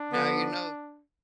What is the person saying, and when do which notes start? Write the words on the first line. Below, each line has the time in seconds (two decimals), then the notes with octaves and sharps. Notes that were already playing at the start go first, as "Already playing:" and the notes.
Now you know.
Already playing: D4
0.13 D3 F3 B3